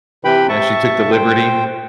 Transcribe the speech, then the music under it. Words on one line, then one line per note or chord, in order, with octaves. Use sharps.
Yeah, she took the liberty.
C3 E3 B4 G5 B5
E5 A5 C#6
C5 G5